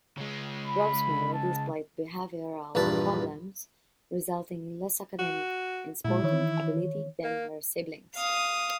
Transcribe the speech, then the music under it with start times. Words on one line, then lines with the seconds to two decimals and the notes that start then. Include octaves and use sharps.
Rosemary displayed behavioral problems, resulting in less academic and sporting ability than her siblings.
0.17 C#3 G#3
0.66 B5
1.34 A5
2.75 A#1 E2 G2 B4 A5
5.19 F#4
6.05 A#2 G#3 E4
6.23 D#3 E3 C#5
7.24 A#3
8.16 F5 D#6